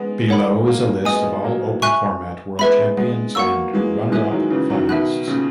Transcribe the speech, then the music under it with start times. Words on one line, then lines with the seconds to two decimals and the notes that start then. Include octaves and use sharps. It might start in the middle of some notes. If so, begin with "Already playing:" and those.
Below is a list of all Open format World Champions and Runner-up finalists.
Already playing: G#3 B3
0.28 E3 G#3 A#4 C#5 F#5 B5
0.67 F#3 A#3
1.05 G#3 B3 D#5 G#5 D#6
1.44 F#3 A#3
1.82 E5 G#5 C#6 F#6
2.59 G#3 B3 B4 E5 B5
2.97 G#3 B3
3.35 F#3 A#3 F#5 C#6 E6
3.73 E3 G#3
4.12 E3 G#3 C#5 E5 G#5 D#6 F#6
4.31 D#3 F#3
4.50 C#3 E3
4.70 D#3 F#3
4.89 B2 D#3 E5 B5 F#6
5.27 A#2 C#3